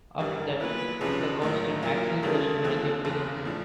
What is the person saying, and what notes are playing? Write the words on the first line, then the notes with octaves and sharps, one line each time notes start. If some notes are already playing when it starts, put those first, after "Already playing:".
After that, the constant acceleration region begins.
G#1 G2 E3 G3 A#4
A#2 F#3 B3 E4 B4
C#2 C3 F3 G#3 C#4 B4
A#1 A2 F#3 A#4
B1 A#2 F#3 A#4
D2 C#3 E3 G3 A4
D#2 D3 F3 G#3 C4
F1 E2 C#3
A2 F3 A3 D4